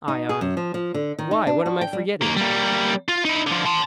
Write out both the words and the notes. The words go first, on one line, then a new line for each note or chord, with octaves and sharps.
ION: Why, what am I forgetting?
D#4
G#4
F#2
F3
F3
D3
D#3
D#4
D4
F#4
G5
G3
D#2 A#3
G3 A#3
F4
D#4 E4
D3 F3
A5 C6